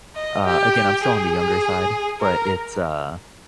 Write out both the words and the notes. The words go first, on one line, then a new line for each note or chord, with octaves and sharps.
uh, again, I'm still on the younger side, but it's, uh,
D#5
G4
G#4
A#4